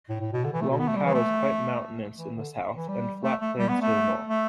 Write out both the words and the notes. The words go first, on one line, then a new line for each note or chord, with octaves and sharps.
Longkou is quite mountainous in the south and flat plains to the north.
A2
A2
B2
D3
E3
A3
B2
B3
A3
G3
E3
A3
E3
D3
E3
G3
A3
A3
G3
B3
A3
A3